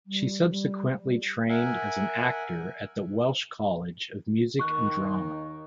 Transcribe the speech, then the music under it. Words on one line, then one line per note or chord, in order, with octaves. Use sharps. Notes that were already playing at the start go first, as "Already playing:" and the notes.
She subsequently trained as an actor at the Welsh College of Music and Drama.
G3
G3
A#4 E5 F#5 G#5
D#2 D#3 C#6 F#6